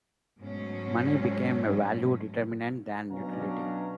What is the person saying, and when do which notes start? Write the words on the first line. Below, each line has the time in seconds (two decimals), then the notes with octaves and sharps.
Money became a value-determinant than utility.
0.39 G#2 B2 F#3 G#3 A3 C#4
3.11 B2 F#3 C#4 D4 F5 A#5